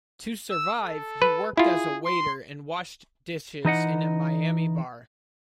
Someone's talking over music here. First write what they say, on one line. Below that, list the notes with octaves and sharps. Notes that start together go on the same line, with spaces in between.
To survive, he worked as a waiter and washed dishes in a Miami bar.
E6
A4
B4
E4 F4 G#4
C6
E3 D#4 D#5 F#5